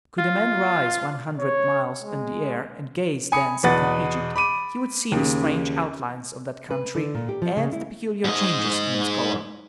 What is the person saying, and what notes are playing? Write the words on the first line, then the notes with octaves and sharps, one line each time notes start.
Could a man rise one hundred miles in the air and gaze thence upon Egypt, he would see the strange outlines of that country and the peculiar changes in its color.
F4
C#5
G#3
G#5 B5 D#6 C#7
E2 B2 B4 F#5 A6
B5 D6 D#7
D#2 C#3
B4
D3
A#2
G4
F3
C#3
E4
G#2 D#5